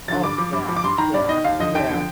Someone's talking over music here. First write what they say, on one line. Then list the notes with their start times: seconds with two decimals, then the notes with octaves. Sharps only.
Oh, yeah, yeah, yeah.
0.08 D3 F3 A6
0.23 G2 D6
0.38 F3
0.53 G2
0.69 F3
0.76 D6
0.83 G2 C6
0.98 D#3 A#5
1.13 G2 D5
1.29 D#3 D#5
1.44 D#2 F5
1.60 D3 F3 D#5
1.75 D#2 G5
1.90 D3 F3